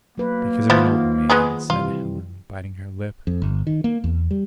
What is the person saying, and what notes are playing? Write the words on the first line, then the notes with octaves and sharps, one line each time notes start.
"Because I'm an old maid," said Helen, biting her lip.
F#3 A#3 B4
D#3 F3 B3 E4 F4 C5
G#3 B3 G#4
C3 E3 G3 F4
F2
G1
D#3
A#3
E2
G3